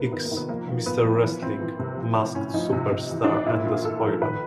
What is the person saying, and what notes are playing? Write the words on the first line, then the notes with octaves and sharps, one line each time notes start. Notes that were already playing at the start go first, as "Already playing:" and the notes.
X, Mr. Wrestling, Masked Superstar and the Spoiler.
Already playing: C3 A#3 B3
D#3 B3
A#3
D#3
B3
F3 A#3
F3 A#3
A#2 B3
F3
A#3
E3 B3
E3 C4
E3
C3
F3
A2
A2 C#4
F3 D#4
C3
C3
E3
E3 D4
D#4
A#2 E4
A#2 F4
A#2 A4
F3 A#4
D#3 B4